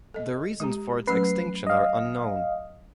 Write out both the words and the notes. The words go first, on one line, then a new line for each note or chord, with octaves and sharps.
The reasons for its extinction are unknown.
A4 D#5
G#3 G4 A#5
F#3 A3 C#4 B4 C7
D#5 F5